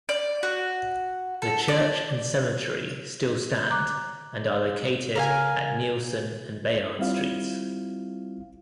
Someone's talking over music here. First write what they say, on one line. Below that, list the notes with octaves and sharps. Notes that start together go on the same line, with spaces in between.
The church and cemetery still stand and are located at Neilson and Bayard Streets.
D5
F#4
A4
D5
A#5 D6 F#6
C#3 A#4 F5 G#5
G3 C4 E4 F4 F5